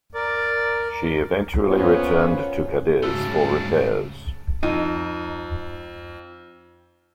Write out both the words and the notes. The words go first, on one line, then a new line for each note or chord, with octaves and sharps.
She eventually returned to Cadiz for repairs.
A#4 D5
A#2 B3 C#4 F4 C5 C#5
G#2 C#3 G3 A3 F#4 A5 E6 G7
F2 D#4